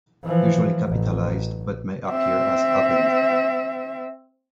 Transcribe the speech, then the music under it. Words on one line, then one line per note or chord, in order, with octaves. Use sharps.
Usually capitalized, but may appear as "abend".
E3 F3
A1
C4 E5